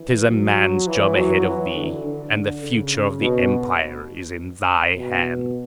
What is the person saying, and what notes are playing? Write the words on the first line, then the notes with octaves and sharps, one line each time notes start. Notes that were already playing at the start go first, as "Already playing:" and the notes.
'Tis a man's job ahead of thee, and the future of the empire is in thy hands.
Already playing: E3
F#3
E3
F#3
E3
D3
D3
C#3
B2
B2